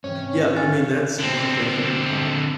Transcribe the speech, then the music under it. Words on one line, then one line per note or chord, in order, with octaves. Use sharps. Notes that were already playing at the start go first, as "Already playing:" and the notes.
Yeah, I mean, that's one thing, um,
G#2 C3 E3 C#4 C#5
F5 G#5 F6 A6
D3 C4